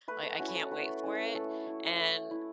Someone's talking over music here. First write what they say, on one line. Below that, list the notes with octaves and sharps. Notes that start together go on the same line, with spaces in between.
I I can't wait for it, and
A3 B4
A4
C#4 E4 F#4
B4
A4
A3 B4
C#4 E4
A3 A4
E4
A3
E4